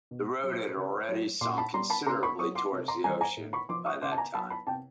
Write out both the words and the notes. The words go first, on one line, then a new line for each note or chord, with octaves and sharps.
The road had already sunk considerably towards the ocean by that time.
B2
F#3
C#3
F#3
A#2 C6 D6
A5 B5
G3 A#5 C6
A5 B5
C#3 A#5 C6
B5 C#6
F#3 C#6 D#6
C6 D6
C3
A#5 C6
E3 G3 G#5 A#5
G#5 A#5
A2
B5 C#6
F3 C6 D6
C#6 D#6
C#3 C6 D6
A5
G#5 A#5
F#3 A5 B5
A5 B5
C3 G5 A5